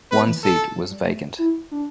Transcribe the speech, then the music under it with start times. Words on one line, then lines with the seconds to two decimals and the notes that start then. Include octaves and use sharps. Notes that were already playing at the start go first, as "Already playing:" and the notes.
One seat was vacant.
0.11 B3 B4
0.27 E3
0.44 A4
0.75 F#3
0.91 G3
1.07 A3
1.39 E4
1.71 D4